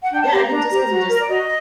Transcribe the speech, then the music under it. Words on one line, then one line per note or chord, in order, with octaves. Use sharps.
yeah, I think just 'cause we just-
F#5
D4 G5
A5
G4 C5 A#5
A#5
D4
G4 C5
F#4
A#4
D5
F#4 D#5